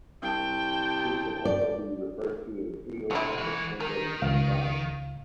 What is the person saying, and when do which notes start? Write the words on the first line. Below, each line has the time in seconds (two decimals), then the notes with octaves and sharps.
This can also be referred to as "idiopathic membranous nephropathy".
0.22 C2 G5 A5
1.45 D5
3.11 C3 A3 D4 E4
3.38 E3 F#4
3.80 D#3 A#4
4.22 C#2 F5